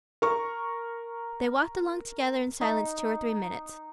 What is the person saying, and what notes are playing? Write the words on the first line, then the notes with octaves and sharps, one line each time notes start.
They walked along together in silence two or three minutes.
A#4 C#6
D#4